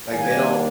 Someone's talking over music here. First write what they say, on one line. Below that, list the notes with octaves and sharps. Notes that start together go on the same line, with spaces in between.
Like, they don't
D#2 D#3 G3 A#3 D4 G#5